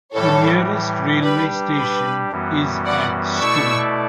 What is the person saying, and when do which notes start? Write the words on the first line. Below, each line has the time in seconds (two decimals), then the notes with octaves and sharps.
The nearest railway station is at Stone.
0.14 A2 E3 G3 A4 C#5
1.23 G3 D4 G4 B4
1.77 B4
2.31 F#2 E3 G3 B3 F#4
2.86 D5 F#5
3.40 B2 A3 E4 A4 D5 C#6 E6